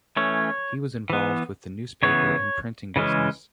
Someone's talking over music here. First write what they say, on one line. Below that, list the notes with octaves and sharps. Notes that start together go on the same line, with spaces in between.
He was involved with the newspaper and printing business.
E3 A3 C#4 C#5
E3 B3
C#3 E3 B3 C#5
C#3 E3 G#3 C#4